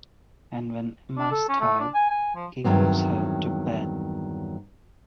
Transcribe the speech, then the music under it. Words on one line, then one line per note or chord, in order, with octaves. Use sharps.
And when Emma's tired, he puts her to bed.
D4
A4
C#4
A3
D4
G#5
G#5
F3
E2 G2 A#2 D#3 F#3 C4